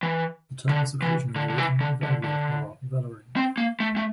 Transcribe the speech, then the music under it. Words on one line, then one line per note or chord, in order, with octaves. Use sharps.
The term is occasionally written "valure" or "valoring".
E3
D3
E3
D3
D3
E3
D3
D3
D3
C4
A#3
A3
A3